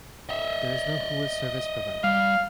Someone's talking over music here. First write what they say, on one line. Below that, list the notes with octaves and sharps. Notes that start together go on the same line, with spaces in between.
There is no whois service provided.
D#5 E5
G3 F5